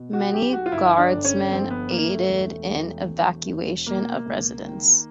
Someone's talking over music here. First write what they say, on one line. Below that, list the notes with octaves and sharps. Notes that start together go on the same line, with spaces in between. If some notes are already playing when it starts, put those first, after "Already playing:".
Many guardsmen aided in evacuation of residents.
Already playing: B2
F#4
B1 G4
F#4
F4
G1 E4
D4
G1
C#4
F3 C4
B3
G1 A#3
A3
E1 A3
E1
E1
E1
B2 A#3
C#2
D#3